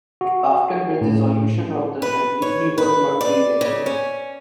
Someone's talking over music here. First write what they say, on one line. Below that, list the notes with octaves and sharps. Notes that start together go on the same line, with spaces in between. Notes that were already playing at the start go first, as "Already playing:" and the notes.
After the dissolution of the assembly he was not re-elected.
F#4
A2
B4
C#5
B4
D5
C#3
C#4